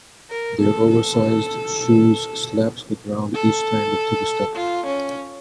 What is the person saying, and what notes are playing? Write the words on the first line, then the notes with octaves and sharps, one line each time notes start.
Their oversized shoes slapped the ground each time they took a step.
A#4
A4
A4
A4
F4
C#4